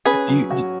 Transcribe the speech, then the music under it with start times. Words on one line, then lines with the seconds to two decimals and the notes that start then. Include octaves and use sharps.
Do you do
0.05 C#4 G#4 B4
0.28 F#3
0.50 F#4